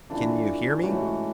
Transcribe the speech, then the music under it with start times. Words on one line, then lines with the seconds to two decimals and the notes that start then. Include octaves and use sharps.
Can you hear me?
0.10 A2 E3 A3 D4 F4
0.83 G#2 E3 A3 C#4 F#4